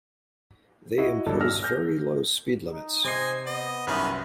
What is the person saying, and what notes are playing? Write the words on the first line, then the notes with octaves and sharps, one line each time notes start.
They impose very low speed limits.
E4 F#4 D#5
E1 G2 D3 F#3 G3 A4
E6 F6 A#6
F6 G6 A#6
D#4
C3 C5 D#5 G#5 C7
B3 D#5
C2 F#2 D#3 C#4 B4 F6